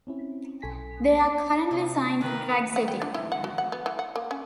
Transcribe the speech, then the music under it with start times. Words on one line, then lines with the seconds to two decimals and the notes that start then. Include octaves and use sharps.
They are currently signed to Drag City.
0.07 C4 C#4 E4
0.62 B1 A4 G#5 C6 B6
1.71 C3 D#4
2.21 D#3 A#3 A#4 B4
2.76 F#5
2.88 G5
3.02 D4
3.14 E4
3.32 F#5
3.44 F#4
3.58 F#5
3.72 B3
3.86 E3
3.99 F#5
4.16 A#3
4.31 C#4